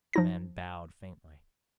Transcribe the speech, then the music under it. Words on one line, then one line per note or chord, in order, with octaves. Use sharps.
The man bowed faintly.
F3 D#4 A#6